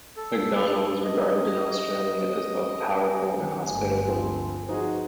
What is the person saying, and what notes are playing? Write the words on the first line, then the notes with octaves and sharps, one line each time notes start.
MacDonnell was regarded in Australia as both 'powerful and hospitable'.
A4
D#5
G#5
D#3
G1 A3 G#5
D2 F3 C4
F3 D#4 F#4 G#4 B4 C5